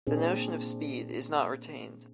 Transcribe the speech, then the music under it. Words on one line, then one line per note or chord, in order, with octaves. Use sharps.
The notion of speed is not retained.
A#2 C4 D4 G#4